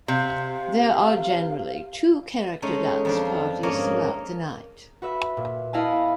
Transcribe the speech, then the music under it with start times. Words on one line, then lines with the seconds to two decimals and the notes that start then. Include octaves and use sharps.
There are generally two character dance parties throughout the night.
0.08 C3 F5
2.62 G#3 A3 C#4 D#4
3.05 F2 F3 D4
3.63 G#2 A#3 C#4 C#5 D#5
5.02 F#4 B4 E5
5.37 A#2
5.73 B3 E4 D#5 F5 G#5 A5